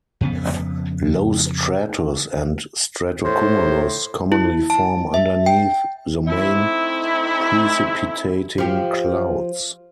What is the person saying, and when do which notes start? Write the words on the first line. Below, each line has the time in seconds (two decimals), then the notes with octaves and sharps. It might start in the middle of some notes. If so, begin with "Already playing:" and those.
Low stratus and stratocumulus commonly form underneath the main precipitating clouds.
0.21 F2 C#3 B3
3.25 A2 C5
4.32 E4
4.70 A5
5.14 E5
5.46 G5
6.27 A3 C4 D#4 E4
8.58 F3 G4